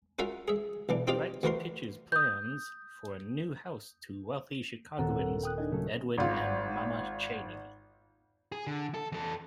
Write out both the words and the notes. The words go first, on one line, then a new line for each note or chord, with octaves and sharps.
Wright pitches plans for a new house to wealthy Chicagoans Edwin and Mamah Cheney.
C#4 F4 F#4 A#4 E5 F5
G#4 E5
B1 E3 D4
C4 D#4 F4 G4 F5
D2 E3 F#4 A#4 C5 C6
D#6 G6
D#1 C4 A4 F#5 A#5
G5 D#6 F#6
D4 D#4 D#5 G#5
C#3 F#3 A3 A4
G#1 F4
G#4
D3
A4
E2 A4